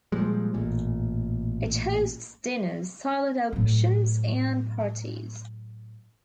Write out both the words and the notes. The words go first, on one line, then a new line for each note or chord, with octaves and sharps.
It hosts dinners, silent auctions and parties.
A#2 F3 G3 G#3
A1 A#2
A2 F#3